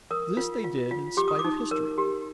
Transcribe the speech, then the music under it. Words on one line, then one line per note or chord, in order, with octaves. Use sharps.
This they did in spite of history.
A#4 D#6
F4
F4
F4
G4 D6
D#6
D6
D#4
A#4
G4